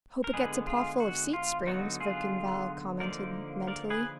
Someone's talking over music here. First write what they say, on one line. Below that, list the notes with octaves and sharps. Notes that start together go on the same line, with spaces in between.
"Hope it gets a paw-full of seat-springs," Verkan Vall commented mentally.
A#4
D3 G#3 B3 G#4 B4
F4 G#4
F#4
F4
D3 F#3 B3 D#4 F#4
F4 G#4
D3 F3 A#3 D#4 A#4 D5
A#4 D5
G#4 B4